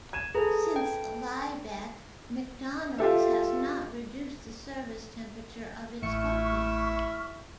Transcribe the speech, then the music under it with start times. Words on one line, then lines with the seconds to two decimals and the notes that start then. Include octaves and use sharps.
Since "Liebeck", McDonald's has not reduced the service temperature of its coffee.
0.13 G#6 D#7 E7
0.34 G#4 A4 B4 A#5
0.76 G5
2.98 F4 G4 A4 E5
6.03 A1 A3 E4 E5 C#6 F6 C#7